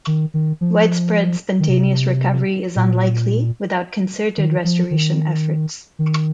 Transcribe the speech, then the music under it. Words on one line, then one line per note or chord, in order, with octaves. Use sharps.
Widespread spontaneous recovery is unlikely without concerted restoration efforts.
D#3
D#3
F3
D#3
C3
A#2
D#3
F3
D#3
D#3